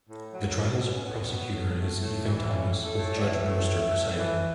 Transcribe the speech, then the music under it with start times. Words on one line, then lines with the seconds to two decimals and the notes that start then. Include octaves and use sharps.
The trial's prosecutor is Ethan Thomas, with Judge Brewster presiding.
0.09 A2
0.32 F#3
0.56 A2
0.80 B3
0.94 C#4
1.04 A2 B3
1.28 F#3
1.52 A2
1.77 A3
2.00 A2
2.24 E3
2.49 A2 C#4
2.73 A3
2.85 A4
2.97 A2
3.16 D5
3.20 E3 E5
3.45 A2
3.69 A3
3.93 A2
4.17 E3